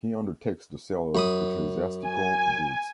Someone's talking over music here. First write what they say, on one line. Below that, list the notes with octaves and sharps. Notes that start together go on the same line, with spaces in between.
He undertakes the sale of ecclesiastical goods.
F#2 B5 D#6
G#5